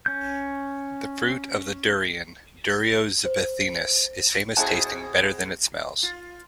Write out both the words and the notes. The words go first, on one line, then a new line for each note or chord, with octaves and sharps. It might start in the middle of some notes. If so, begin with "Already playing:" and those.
The fruit of the durian, "Durio zibethinus" is famous, tasting better than it smells.
C#4 G6
C5
B2 E3 C4 G#4 A4 F#5
F4